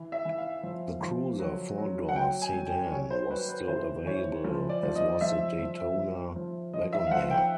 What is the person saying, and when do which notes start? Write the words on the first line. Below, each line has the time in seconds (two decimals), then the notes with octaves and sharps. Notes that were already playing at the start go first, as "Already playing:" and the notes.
The Cruiser four-door sedan was still available, as was the Daytona Wagonaire.
Already playing: E3
0.12 E5
0.25 E3
0.38 F5
0.63 F3
1.01 F3
1.39 F#3
1.78 F#3
2.09 F#5
2.16 F#3 G5
2.42 G#5
2.53 F#3
2.67 G5
2.92 F#3 C#5
3.11 C5
3.30 F#3 B4
3.49 B4
3.68 E3 C5
4.06 E3 C#5
4.44 F3
4.69 D5
4.83 F3
4.96 D#5
5.21 F3 E5
5.59 F3
5.97 F3
6.36 F3
6.74 F3 D#5
6.93 E5
7.07 F5
7.11 F3 F#5
7.30 G5